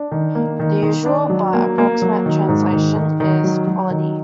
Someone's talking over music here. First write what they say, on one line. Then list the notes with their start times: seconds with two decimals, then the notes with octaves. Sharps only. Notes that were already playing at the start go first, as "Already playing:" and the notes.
The usual, but approximate translation is "quality".
Already playing: D4
0.11 D#3
0.35 A#3
0.60 D#3
0.83 D#3
1.06 D4
1.30 F#3
1.53 A#3
1.78 A#3
2.02 F#3
2.26 D#3
2.48 G#2
2.73 D#3
2.96 D#3
3.20 D#3
3.44 F#3
3.67 F#3
3.90 D#3